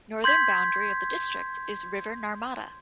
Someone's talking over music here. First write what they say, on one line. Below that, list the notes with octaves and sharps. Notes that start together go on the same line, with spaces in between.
Northern boundary of the district is river Narmada.
C6 G6 G#6 B6